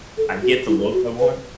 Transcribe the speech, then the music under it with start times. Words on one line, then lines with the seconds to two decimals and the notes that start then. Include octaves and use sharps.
I get the look I want.
0.18 A4
0.42 F#4
0.67 E4
0.93 F#4
1.19 B4